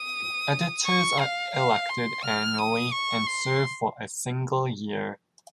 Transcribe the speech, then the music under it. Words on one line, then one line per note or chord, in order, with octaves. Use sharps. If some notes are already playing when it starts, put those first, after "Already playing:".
Editors are elected annually and serve for a single year.
Already playing: D#6
C#6
F5
F5
C6
F6
D#6
C#6
C6